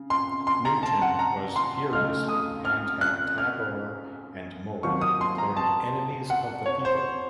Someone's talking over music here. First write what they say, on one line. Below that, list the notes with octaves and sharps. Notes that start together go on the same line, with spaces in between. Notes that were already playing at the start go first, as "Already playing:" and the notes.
Newton was furiously and had Tabor and Moore declared "enemies of the people".
Already playing: C#3
C6
C6
A#5
A5
F#5
A#5
C6
C#2 C#3 A3 D#4 F6
D#6
F6
F#6
F6
D#2 D#3 F#3 C4 C#6
D#6
C6
A#5
A5
F#5
C#5
C5